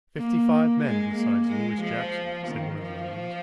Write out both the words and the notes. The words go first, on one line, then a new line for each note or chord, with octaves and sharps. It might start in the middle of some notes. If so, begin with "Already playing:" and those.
"Fifty-five men besides Louis Jackson," said one of the Indians.
A#3
G#3
A#3
G#3
F3
D#3
F3